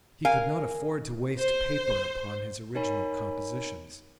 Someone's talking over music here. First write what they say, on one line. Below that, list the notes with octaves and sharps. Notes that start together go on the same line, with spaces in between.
He could not afford to waste paper upon his original compositions.
A#4 F5 G#5
C5
D#4 A#4 C#5 G#5 B5